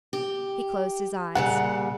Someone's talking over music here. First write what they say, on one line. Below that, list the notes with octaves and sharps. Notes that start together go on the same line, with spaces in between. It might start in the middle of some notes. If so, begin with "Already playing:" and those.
He closed his eyes.
G4
A#2 C#3 G3 F#5